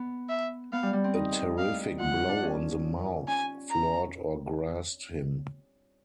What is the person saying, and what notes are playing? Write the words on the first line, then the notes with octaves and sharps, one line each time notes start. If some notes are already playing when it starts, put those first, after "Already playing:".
A terrific blow on the mouth floored or grassed him.
Already playing: B3
E5
B3 F5
G3
G3
C4
D#4
F5
F4 F#5
F4
D4
C#4
C#4 G#5
A#5